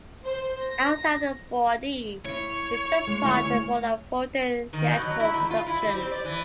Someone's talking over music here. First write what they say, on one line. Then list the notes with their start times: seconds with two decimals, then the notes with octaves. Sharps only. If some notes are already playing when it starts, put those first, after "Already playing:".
Outside of the Bordée, he took part in more than forty theatrical productions.
0.25 C5
0.62 A#6
2.25 E4 C#5
3.07 G#3
3.22 D2 E4 G#5
3.42 D2
4.73 D#3
4.90 B2
5.04 F#3
5.20 E4
5.34 E2
5.50 F4
5.66 E4
5.82 G3
5.95 C4
6.12 D5
6.25 E3